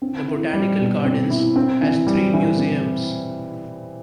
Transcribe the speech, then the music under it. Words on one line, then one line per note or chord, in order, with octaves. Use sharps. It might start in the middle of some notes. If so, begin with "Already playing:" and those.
The Botanical Gardens has three museums.
C4
E4
G3
B2
C4
E4
C4
E3
G3
E3
C4